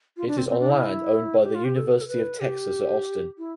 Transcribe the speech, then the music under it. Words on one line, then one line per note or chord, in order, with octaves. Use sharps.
It is on land owned by the University of Texas at Austin.
F4
D4
C4
C4
D4
E4
G4
F4
G4
A4
B4
A4
B4
G4
E4